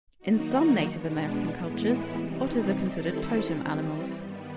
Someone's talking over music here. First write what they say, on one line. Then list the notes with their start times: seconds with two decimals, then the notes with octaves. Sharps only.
In some Native American cultures, otters are considered totem animals.
0.18 D#3 F#3 A#3 D#4 F#4
0.84 B2 G#3 B3 D4
1.50 A2 E3 G#3 B3 E4
2.16 C3 E3 G3 C4 D#4
2.82 D#3 G3 C4 E4 A4
3.48 E3 G3 C4
4.13 G2 D#3 G3 B3